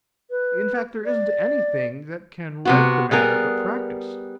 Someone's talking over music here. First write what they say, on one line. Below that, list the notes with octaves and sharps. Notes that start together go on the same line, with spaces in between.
In fact, there isn't anything that can right the matter but practice.
B4
D5
C3 B3 F#4
G3 B3 G#4 A#4